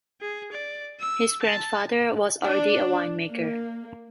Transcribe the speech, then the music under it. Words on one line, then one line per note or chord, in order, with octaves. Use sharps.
His grandfather was already a winemaker.
G#4
D5
E6
A5
D4
A#3